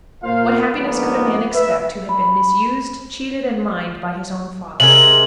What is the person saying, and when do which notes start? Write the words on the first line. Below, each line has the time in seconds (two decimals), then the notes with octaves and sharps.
What happiness could a man expect who had been misused, cheated, and mined by his own father?
0.23 A#2 A#3 F4 C5 F5
0.74 F2 G#2 A#3 B3
1.55 B4 E5
2.09 B5
4.80 C3 G#3 A#4 F#7